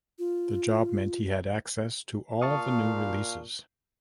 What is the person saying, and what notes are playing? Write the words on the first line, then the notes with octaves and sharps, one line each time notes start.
The job meant he had access to all the new releases.
F4
A#2 F5 A5 C#6 D#6